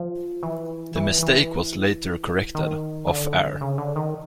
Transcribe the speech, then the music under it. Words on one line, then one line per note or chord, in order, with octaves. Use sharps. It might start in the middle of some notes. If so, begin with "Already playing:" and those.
The mistake was later corrected, off-air.
Already playing: F3
E3
E3
E3
D#3
D3
C#3
D3
D#3